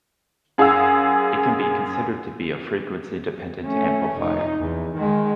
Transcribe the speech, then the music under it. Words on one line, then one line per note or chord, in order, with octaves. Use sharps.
It can be considered to be a frequency-dependent amplifier.
F#2 G#4 F5 F#5 E6
A3 C#4
F1 D#4
E2
D#3 G#3